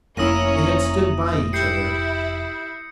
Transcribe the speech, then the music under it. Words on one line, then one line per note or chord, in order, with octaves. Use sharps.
They had stood by each other.
F1 A#3 C#4 E4 A#5 D#6 A#6 D#7
E4 G4 G6 C7 C#7